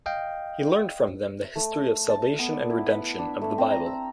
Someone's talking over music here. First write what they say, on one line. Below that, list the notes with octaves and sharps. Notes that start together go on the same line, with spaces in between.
He learned from them the history of salvation and redemption of the Bible.
D#5 F5 G5
E5
A3
A5
B3
D5
E4
B4
D4
A3
C4
A#5
E6